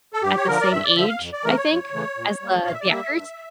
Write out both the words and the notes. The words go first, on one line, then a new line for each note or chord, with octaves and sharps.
at the same age, I think, as the the actors,
A4
G2 G4
C#5
D3 F3 A#4
D5
G2 E5
D5
D3 F3 E5
F5
F2
D5
C#3 E3 A3 A#4
C#5
F2
C#3 E3 A3
A#2
G3 A#3
A#2 F5
E5
D5
G3 A#3 E5
G2